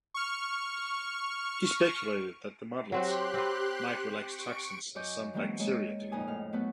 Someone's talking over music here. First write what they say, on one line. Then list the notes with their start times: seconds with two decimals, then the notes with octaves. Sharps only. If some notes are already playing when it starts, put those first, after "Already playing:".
He speculated that molds might release toxins, as some bacteria do.
0.14 C#6 F6
2.92 F#3 C4 F#4 G4 C6 F#6
3.34 C4 B4
4.26 C#6 D7
4.95 F#2 C#5 D#5 D6 G6
5.34 E3 F#3 G#3 A#3 C4 C#4
5.59 G#3 A#3 C#5 D#5
6.12 F2 A#2 D#4 G#5 D#6
6.27 A2 F6
6.53 F#3 A3 B3 B4